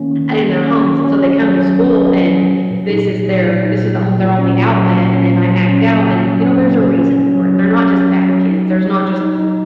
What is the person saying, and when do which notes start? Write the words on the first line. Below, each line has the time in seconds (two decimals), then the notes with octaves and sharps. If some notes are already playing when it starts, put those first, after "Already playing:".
in their homes, and so they come to school, and this is their this is the on their only outlet, and they might act out and, you know, there's a reason for it. They're not just bad kids. There's not just,
Already playing: D#3 A#3 C#4
0.11 D#3
0.31 A#3
0.49 D#3
0.67 C#4
0.86 D#3
1.04 C#4
1.23 C#4
1.42 F#3
1.60 F#3
1.78 C#4
1.97 C#4
2.15 F#3
2.34 F#3
2.53 F#3
2.71 A#2
2.90 D#4
3.09 A#2
3.28 F#3
3.46 A#2
3.64 D#4
3.83 A#2
4.01 F#3
4.20 A#2
4.38 C#4
4.58 A#2
4.75 F#3
4.95 A#2
5.13 C#4
5.31 A#2
5.50 F#3
5.68 C#4
5.87 A#3
6.06 C#3
6.25 F#3
6.42 C#4
6.61 A#3
6.79 C#3
6.98 C#4
7.16 C#4
7.35 F#3
7.54 F#3
7.72 C#4
7.91 C#4
8.10 F#3
8.28 F#3
8.47 D#4
8.65 D#4
8.84 F#3
9.03 F#3
9.21 D#4
9.40 D#4